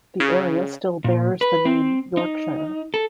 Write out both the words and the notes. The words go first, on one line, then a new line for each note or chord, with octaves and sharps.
The area still bears the name Yorkshire.
C#3
A#2
B4
C4
D#4
A4